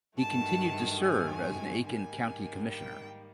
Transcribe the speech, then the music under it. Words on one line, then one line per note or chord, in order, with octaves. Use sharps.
He continued to serve as an Aiken County commissioner.
G2 D#3 F#3 A3 A5
G#5
G#2 D#3 G3 A#3 G#5
G5